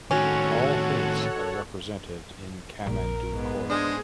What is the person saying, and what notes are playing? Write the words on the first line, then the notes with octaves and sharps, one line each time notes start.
All faiths are represented in Kamandou Koura.
A2 D#3 C#4 F#4 A4 C#5 F#5
A#1 A#4
G#2 B3
G#3 D4 G#4 C5 D#6